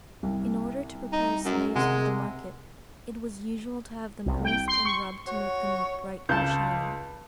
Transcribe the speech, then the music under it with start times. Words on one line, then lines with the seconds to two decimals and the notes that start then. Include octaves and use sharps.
In order to prepare slaves for the market, it was usual to have them greased and rubbed to make them look bright and shining.
0.23 C2
1.12 D#4
1.45 F#2
1.76 C3 G#3 A#4 F#5
4.26 C2
4.45 G5
4.68 C6
4.85 C#6
5.27 F#4 C#5
6.29 C#2 A5 G6